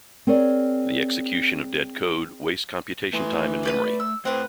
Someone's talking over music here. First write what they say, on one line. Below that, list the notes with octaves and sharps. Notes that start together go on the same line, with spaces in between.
The execution of dead code wastes computation time and memory.
C4 G#4 A#4 C#5 D5 G#5
E3 A3 C6
B4 C#5 D5
E6
A2 C4 B4 F#5